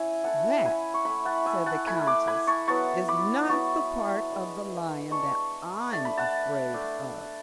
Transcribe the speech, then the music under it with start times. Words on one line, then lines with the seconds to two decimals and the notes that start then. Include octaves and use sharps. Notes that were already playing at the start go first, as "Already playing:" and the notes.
"That," said the Countess, "is not the part of the lion that I'm afraid of."
Already playing: C#4 E4 E5 G#5
0.24 A3 C#4 E4 F#5 A5
0.65 G#5 B5
0.94 C#6
1.05 A3 E4 G#5 B5
1.25 F#5 A5
1.45 E5 G#5
1.66 F#5 A5
1.86 A3 E4 G#5 B5
2.07 B5 D6
2.27 G#5 B5
2.47 A5 C#6
2.68 F#3 B3 E4 A5 C#6
3.08 B5 D6
3.48 F#3 B3 E4 A5 C#6
4.30 G#3 D4
5.11 G#3 D4 A5 C#6
5.92 A3 D4 A5
6.05 B5
6.17 F#5 A5
6.74 A3 D4